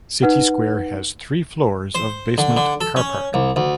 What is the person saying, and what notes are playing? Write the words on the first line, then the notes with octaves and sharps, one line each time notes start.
City Square has three floors of basement carpark.
D#4 B4 F#5
C5
D3
D3
A4
C#4
C2
D2